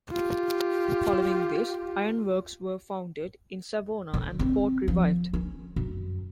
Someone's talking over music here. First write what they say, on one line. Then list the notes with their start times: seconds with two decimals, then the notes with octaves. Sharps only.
Following this, ironworks were founded in Savona and the port revived.
0.12 F4 G4
4.14 D3
4.39 C4
4.88 F3
5.33 C#4
5.76 F#2